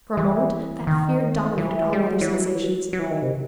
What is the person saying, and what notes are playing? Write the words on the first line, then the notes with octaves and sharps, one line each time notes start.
For a moment that fear dominated all other sensations.
E3
D#3
E3
G3
F#3
E3
F#3
E3
F#3
F#3
E3
D#3
C3